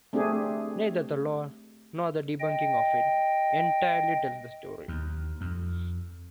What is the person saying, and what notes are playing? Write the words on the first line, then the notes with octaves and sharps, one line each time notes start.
Neither the lore, nor the debunking of it, entirely tells the story.
A3 C4 D4 G4 G#4
D#5 G5
D#2
F2